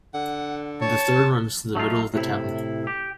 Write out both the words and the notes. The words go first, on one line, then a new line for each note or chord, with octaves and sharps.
The Thur runs through the middle of the town.
D3 F#5
C#5 A5
F#3 A3 D#4 F4
A2 C3 E4
G4